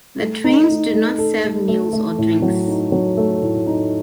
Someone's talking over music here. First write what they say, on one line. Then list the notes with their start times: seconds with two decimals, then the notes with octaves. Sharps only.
The trains do not serve meals or drinks.
0.20 A3
0.44 D#4
0.70 A3
0.94 A3
1.18 A4
1.44 A3
1.68 A3
1.93 A3
2.19 A2
2.42 F#3
2.68 D#4
2.92 F#3
3.17 A3
3.42 A2
3.67 D#4